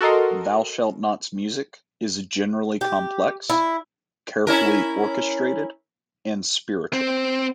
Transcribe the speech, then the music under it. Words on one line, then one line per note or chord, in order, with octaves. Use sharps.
ThouShaltNot's music is generally complex, carefully orchestrated, and spiritual.
F#4 A4 A#4 D#5 C6
G4
E4
C#4 E4 A#4
C4